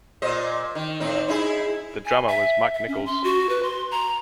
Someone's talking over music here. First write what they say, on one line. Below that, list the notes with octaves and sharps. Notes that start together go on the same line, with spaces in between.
The drummer was Mike Nicholls.
A#2 C5 D#5
D#3
A2 C4 D#4
D#4 E4 G#4
G#5
E5
E5
C#4
C6
F#4
B4
C6
A#5